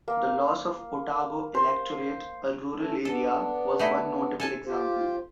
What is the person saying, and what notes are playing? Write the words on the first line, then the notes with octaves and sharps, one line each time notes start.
The loss of Otago electorate, a rural area, was one notable example.
A#3
C5
A3 C#4 A4
B3 D4 A4
A3 D#4 E4
A4 G#5 A5
F4 G4 C5